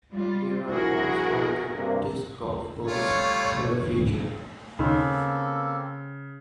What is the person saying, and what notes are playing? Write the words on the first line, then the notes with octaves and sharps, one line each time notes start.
There are talks about a disk golf course in the future.
G3 F4
A#1 E4 F#4 G#4 A#4
G2 C3 A#3
G3 A3 F4 C#5
D#2 C#3 A#3 C4 D#4 A4 C6